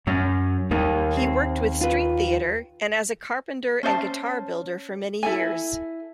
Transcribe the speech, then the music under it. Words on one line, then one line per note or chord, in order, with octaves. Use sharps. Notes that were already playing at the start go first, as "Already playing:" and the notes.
He worked with street theatre, and as a carpenter and guitar-builder for many years.
F#2 F#3 C#4
D#2 G3 A#3 D#4
C4
F4 B4
C#4 C5 D#5 A5
E4 A4 G#5